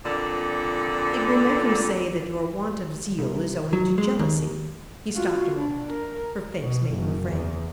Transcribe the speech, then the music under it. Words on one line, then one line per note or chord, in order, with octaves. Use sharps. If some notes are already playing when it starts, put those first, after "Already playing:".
"It will make him say that your want of zeal is owing to jealousy." He stopped a moment; her face made him afraid.
F2 A#2 D3
C2
F#3
G#3
D#2
F4 F#4
D4
A#4
B2
F#1
E2